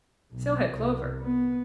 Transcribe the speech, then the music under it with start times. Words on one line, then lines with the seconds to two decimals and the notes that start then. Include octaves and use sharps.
So had Clover.
0.31 B1
0.73 C2
1.20 B3